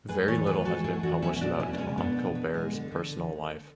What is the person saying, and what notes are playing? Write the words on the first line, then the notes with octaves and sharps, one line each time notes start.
Very little has been published about Tom Colbert's personal life.
A2 G#4 B4
E3 A4 C#5
A2 G#4 B4
G#3 F#4 A4
A2 E4 G#4
E3 D4 F#4
B2 C#4 E4
B3 D4 F#4
B2 C#4 E4
D4
G#3 C#4
B2 B3 D4
B3
B2
G#3
D3
D3